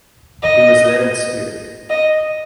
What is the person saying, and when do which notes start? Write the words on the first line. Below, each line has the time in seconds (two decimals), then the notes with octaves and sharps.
He was there in spirit.
0.43 D#5
1.90 D#5